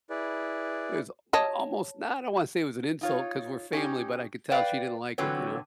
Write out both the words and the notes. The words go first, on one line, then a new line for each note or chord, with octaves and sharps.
is my almost, and I don't wanna say it was an insult 'cause we're family, but I could tell she didn't like it, you know.
E4 G#4 B4 D5
C#5 D#5 A5
D#4 F4 C#5
C#4 D#4 G4
B4 D5 F5 G5
D3 E3 F#3 C4 B4 C#5